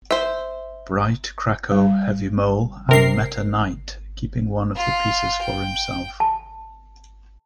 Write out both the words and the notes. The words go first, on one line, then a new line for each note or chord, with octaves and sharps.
Bright, Kracko, Heavy Mole, and Meta Knight, keeping one of the pieces for himself.
C5 E5
G3
C3 A#4 C7
F4
G5
A5